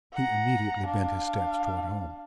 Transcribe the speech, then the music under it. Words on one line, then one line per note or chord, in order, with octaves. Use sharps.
He immediately bent his steps toward home.
F#5 A#5
D4 F5